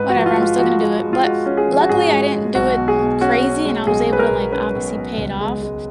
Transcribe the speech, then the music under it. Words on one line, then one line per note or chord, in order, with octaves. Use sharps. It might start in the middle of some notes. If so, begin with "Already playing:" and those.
whatever, I'm still gonna do it." But luckily, I didn't do it crazy, and I was able to, like, obviously pay it off,
Already playing: G#2 B4
F#4
F3
F4
G#3
F4
F3 F#4
G#3
G#3
F4
G#3 F#4
C#4
G#4
F3
F#4
G#2 G#4
G#3
G#2
B1 F#4
B2
G#4
B2
C#4 F#4
C#4
G#3
B1 G#4
G#3 B4
A#4
B1
C#4 B4
B1
B1
C#2
G#3
G#3